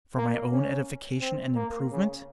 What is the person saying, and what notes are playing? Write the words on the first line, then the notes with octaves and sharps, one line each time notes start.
For my own edification and improvement?
A#3
C#4
C4
A#3
C#3